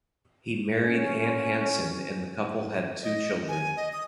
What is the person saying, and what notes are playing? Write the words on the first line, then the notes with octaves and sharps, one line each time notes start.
He married Ann Hanson and the couple had two children.
C#4
D#5
G#5
D#5
D#6